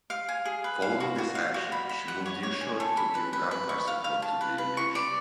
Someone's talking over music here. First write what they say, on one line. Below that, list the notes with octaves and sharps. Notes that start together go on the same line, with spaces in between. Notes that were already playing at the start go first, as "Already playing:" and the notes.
Following this action, she moved inshore to give gunfire support to the invasion.
F5
G#5
G#4
B4
F5
F#4
F#4
F5
F#4
B5
B5
F#5
C#5
C#5
G#5
A4
B5
B4
B4
B4
C#6
F5
F5
A5
B4
B4
C#6
D5